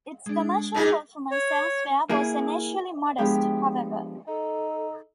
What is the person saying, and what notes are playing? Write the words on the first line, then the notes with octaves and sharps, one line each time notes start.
Its commercial performance elsewhere was initially modest, however.
G#3 D4
A#2 D#4 G#4
C#5
A#3 E4 G#4
F3 G#3 B3 D4 G4
D#4 A4